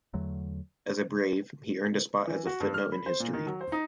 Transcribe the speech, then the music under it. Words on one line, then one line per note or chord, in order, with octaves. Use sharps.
As a Brave, he earned a spot as a footnote in history.
E2 D3 F#3 A3
E3
F#4
G2
F6
B5
C5
A#2
D#3
F#3
C5
D#4